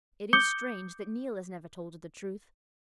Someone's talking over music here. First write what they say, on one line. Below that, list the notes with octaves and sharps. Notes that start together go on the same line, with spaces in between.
It is strange that Neil has never told her the truth.
D6 D#6 G6 C#7 G7